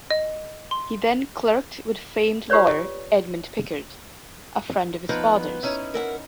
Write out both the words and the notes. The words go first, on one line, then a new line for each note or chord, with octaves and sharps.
He then clerked with famed lawyer Edmond Picard, a friend of his father's.
D#5
C6
F4 G4 B4 C#5 D5
F3 B3 D#4 B4
C#4 D#4 E4
A#4 E5 F#5